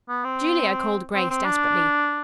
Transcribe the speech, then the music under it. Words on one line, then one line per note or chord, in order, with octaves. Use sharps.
"Julia," called Grace desperately.
B3
C4
C4
C4
D4